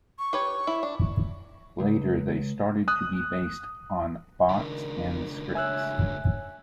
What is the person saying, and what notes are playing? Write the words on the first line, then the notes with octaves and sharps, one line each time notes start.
Later they started to be based on bots and scripts.
C#6
G4 B4 C#5
E4
D4
C#2
D#6 F#6
C#2 D#3 D4
C#5 E5 G#5 E6 F#6